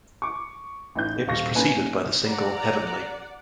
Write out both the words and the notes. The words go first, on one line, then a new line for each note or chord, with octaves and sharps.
It was preceded by the single "Heavenly".
C#6 D6
A1 D#4 G6
D#1 F5 C#6 A#6
A#3 C#4 D#4 B4 G#5 A#5
D5 F#5 A#5